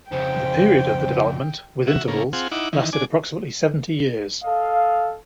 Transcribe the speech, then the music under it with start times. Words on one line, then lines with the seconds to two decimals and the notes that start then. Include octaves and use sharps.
The period of the development, with intervals, lasted approximately seventy years.
0.12 F2 C#3 C5 G5
1.87 F#4 E5
2.08 A2 C#3 A#3
2.33 C4 F4 G#4 F#5
2.52 D#4 E4 F#5 D6
2.73 D#3 E3
2.93 D4 G#5 D6
4.43 A4 D#5 F5